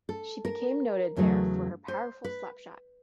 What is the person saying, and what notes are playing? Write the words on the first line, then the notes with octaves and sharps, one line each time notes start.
She became noted there for her powerful slapshot.
A4
A#4
E2 C#3 F#3 A3
C5
B4